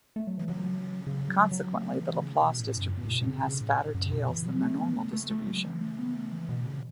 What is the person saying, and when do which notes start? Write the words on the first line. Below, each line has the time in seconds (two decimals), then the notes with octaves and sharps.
Consequently, the Laplace distribution has fatter tails than the normal distribution.
0.16 A3
0.27 F#3
0.38 E3
0.49 F#3
1.07 C#3
1.28 F#3
1.52 F#3
1.74 A3
1.97 E3
2.20 C#3
2.42 B2
2.59 A2
2.77 F#2
2.93 A2
3.06 A2
3.10 B2
3.27 C#3
3.44 C#3
3.61 A2
3.94 F#2
4.06 C#3
4.12 B2
4.29 E3
4.46 F#3
4.63 A3
4.79 B3
4.96 A3
5.13 A3
5.31 A3
5.47 F#3
5.65 E3
5.81 A3
5.99 B3
6.15 A3
6.32 E3
6.49 B2
6.66 C#3